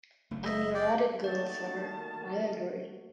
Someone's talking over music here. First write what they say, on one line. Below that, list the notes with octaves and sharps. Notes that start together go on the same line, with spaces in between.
A neurotic girl, sir, I agree.
F#1 A3
D#5 E5
D5 G5
D#3 A3 A#3 F#4 D5 A5